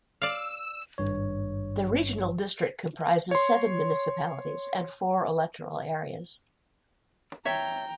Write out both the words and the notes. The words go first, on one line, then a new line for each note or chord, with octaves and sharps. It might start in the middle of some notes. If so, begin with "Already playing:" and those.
The regional district comprises seven municipalities and four electoral areas.
D5 F5 E6
G#1 G2 C#5
C#5 C6
C#5 E5 G5 A#5